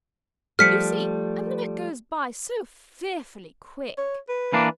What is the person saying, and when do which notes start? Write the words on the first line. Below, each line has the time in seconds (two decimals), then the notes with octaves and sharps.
You see, a minute goes by so fearfully quick.
0.59 F3 G3 A3 F6 B6 C#7
3.98 C#5
4.29 B4
4.53 E3 A#3 D4